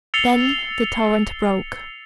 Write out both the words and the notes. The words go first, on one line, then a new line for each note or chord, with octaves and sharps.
Then the torrent broke.
E6 A6 C7 C#7 F7 G7